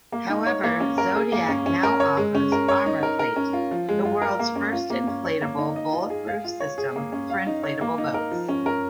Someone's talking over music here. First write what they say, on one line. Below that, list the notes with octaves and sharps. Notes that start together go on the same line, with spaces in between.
However, Zodiac now offers ArmorFlate, the world's first inflatable bulletproof system for inflatable boats.
A#3
D#4
C#5
A#3
C#4
A#4
G#4
A#3
C#4
C#4
A#4
C#5
G#3
C#4
A#4
C#5
D#4
A#4
A#4
C#4
F4
F3
G#3
F4
A#4
A#3
C#4
F4
A#3
C#4
C#5
A#3
D#4
D#5
F4
G#4
F5
F4
C#5
G#4
A#3
C#4
F5
D#4
C#5
A#3
D#4
A#4
F3
C#4
A#4